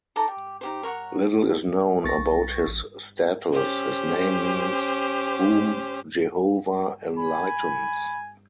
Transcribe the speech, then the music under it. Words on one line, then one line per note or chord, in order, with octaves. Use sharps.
Little is known about his status; his name means: 'whom Jehovah enlightens'.
D#4 A4 D5 A#5
G4
D#4 G4 C5
A#4 C#5 F#5 C#6
B1 C#6 A6 A#6
B1
A1
C#4 G4 C5
G#5 B5